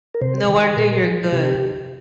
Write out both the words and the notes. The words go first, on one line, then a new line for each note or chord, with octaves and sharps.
no wonder you're good,
A#4
C3 C5
D#3
A#2 A#4
G#4
A#4
F3 G#4
C3 G4